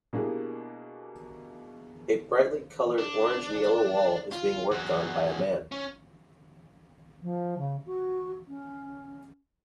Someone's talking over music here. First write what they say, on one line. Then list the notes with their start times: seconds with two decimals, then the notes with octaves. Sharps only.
A brightly colored orange and yellow wall is being worked on by a man.
0.13 B2 A#3 D4 E4 G4 G#4
2.98 D4
4.32 F4
4.72 E2 F#3
5.72 C#4
7.22 F3
7.58 C#3
7.86 F#4
8.48 C#4